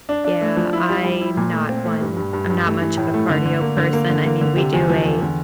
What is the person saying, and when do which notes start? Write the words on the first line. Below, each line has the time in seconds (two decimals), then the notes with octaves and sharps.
Yeah, I'm not one I'm not much of a cardio person, I mean, we do a
0.09 D4
0.25 D4
0.41 A3
0.57 F3
0.73 E4
0.89 G3
1.05 G3
1.21 E4
1.37 A#2
1.53 A3
1.69 C4
1.86 A3
2.01 G2
2.17 G2
2.33 G2
2.50 G2
2.66 A3
2.82 E3
2.97 A2
3.14 A3
3.30 D3
3.45 D3
3.61 A#3
3.77 D3
3.93 A#3
4.10 D3
4.26 A#3
4.41 D3
4.57 C3
4.73 E2
4.90 F3
5.05 E2
5.22 D3